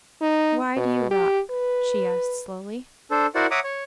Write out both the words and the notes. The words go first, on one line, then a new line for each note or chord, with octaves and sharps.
"Why do you rock?" she asked slowly.
D#4
B2
G4
B4
D4 A4 C5
E4 F#4 A#4 C5 D5 F#5
C#5 E5 F#5 A#5 D6 D#6
C#5